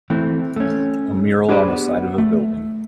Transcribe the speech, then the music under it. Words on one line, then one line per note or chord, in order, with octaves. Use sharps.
A mural on the side of a building.
E3 A3 C4
A3 C#4
D4 G4 G#4 B4 C5 D5
B3
A3